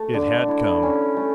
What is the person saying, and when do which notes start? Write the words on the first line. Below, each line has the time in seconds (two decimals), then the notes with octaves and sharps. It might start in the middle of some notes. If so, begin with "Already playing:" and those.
It had come!
Already playing: A3
0.14 D3
0.48 E4
0.83 C#4
1.17 A3